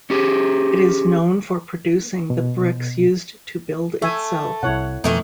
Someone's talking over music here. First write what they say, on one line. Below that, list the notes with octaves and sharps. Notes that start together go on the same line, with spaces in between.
It is known for producing the bricks used to build itself.
C#4 G4 G#4
B2
A3 E5 G#5
C2 C3 E4 C#5 F#5
F2 B2 D#3 E3 A3 D#4